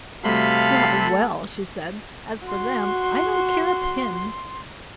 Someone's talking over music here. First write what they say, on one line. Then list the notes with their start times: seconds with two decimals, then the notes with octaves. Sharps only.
'Well! well!' she said, 'as for them, I don't care a pin.
0.24 C3 G3 A3 F#4 A4 F5 B5 C6
2.47 F#4 C6